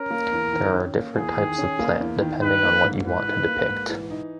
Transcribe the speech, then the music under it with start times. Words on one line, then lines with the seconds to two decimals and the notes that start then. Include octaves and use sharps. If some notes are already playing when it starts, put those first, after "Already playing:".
There are different types of plant depending on what you want to depict.
Already playing: C#4 A#4
0.10 A#3
0.32 E2
0.53 D#3
0.74 C#4
0.95 A#3
1.16 E2 G#4
1.37 D#3
1.58 C#4
1.79 A#3
2.00 E2
2.21 D#3
2.42 D#4 B4
2.63 A#3
2.84 G#2
3.05 E3 B4
3.27 D#4
3.48 A#3
3.69 G#2
3.89 E3
4.10 D#4